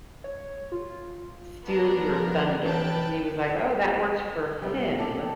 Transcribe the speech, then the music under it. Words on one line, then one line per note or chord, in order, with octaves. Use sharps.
steal your thunder. He was, like, oh, that works for him.
C#5
F4
B3 D4 A#4
F3
E3 B4 G5 A5
F#4 C5 E5
C3 F#3 G3 B3
D#3 G4 A4